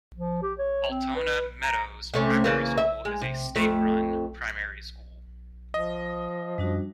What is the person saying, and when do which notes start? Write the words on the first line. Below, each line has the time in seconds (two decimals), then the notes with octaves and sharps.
Altona Meadows Primary School is a state-run primary school.
0.17 F3
0.42 G4
0.59 C#5
0.91 C4
1.16 B4
1.62 A#5
2.14 C3 A3 C#4
2.44 C#3 E3 A#3
2.78 E5
3.05 G#3
3.21 C3
3.56 F2 A3
5.74 F3 D#5
6.58 F#2 G3 D4 F#4